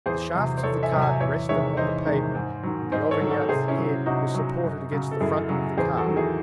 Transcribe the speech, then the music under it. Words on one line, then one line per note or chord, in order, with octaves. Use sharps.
The shafts of the cart rested on the pavement, and the Auvergnat's head was supported against the front of the cart.
E2 G#4 C5
C3 F#3
C5
E2 A4 C#5
E5 G#5
C3 F#3
E5 G#5
E2 C#5 E5
C3 D#3 G#3 C#5 E5
E2 C5 D#5
C3 D#3 G#3
G#2
D#3 F#3
G#2 C5 D#5
A4 C#5
D#3 F#3
F#4 A4
C3 G#4 C5
C#4 E4
F#3
C3 D#4 F#4
F#3
F#2
C#3 F#3
A4
F#2 E4 G#4
C#3 F#3
E2 G#4 C5
F#4 A4
D#3 F#3
E4 G#4